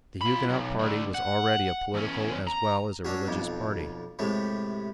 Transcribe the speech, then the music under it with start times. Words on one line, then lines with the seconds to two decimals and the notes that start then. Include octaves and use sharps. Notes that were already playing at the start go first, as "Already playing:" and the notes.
The Huguenot party was already a political as well as a religious party.
0.22 F4 B5
0.50 B1
0.79 D2 D3
1.15 F#5
1.94 E2 C#4
2.48 A#5
3.05 F#3 C#4 D4
3.27 B1 F2
4.19 A2 C3 G#3